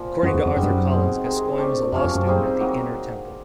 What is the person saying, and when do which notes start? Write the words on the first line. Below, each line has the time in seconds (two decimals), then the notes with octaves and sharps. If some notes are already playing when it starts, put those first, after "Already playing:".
According to Arthur Collins, Gascoigne was a law student at the Inner Temple.
Already playing: A#2 F3
0.23 F#2 G#3 B3 D#4 F#4
0.34 E2
0.46 F2
0.57 F#2 G3 C4 D#4
0.63 G2
0.70 F#2
0.91 B2 G#3 C4
1.24 C3 D#3 G#3
1.58 A3 D4 G4
1.92 F2 C3 F3 A3 C#4
2.04 F2
2.15 F#2
2.26 G3 C4 D#4 G#4
2.60 F#3 A#3 D#4